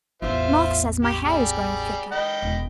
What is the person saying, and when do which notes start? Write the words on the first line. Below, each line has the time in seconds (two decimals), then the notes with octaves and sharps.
Martha says my hair is growing thicker.
0.22 A1 E2 F4 C5 E5
1.04 G4
1.25 G3 G#4
2.12 D#5 G5 B5
2.42 E1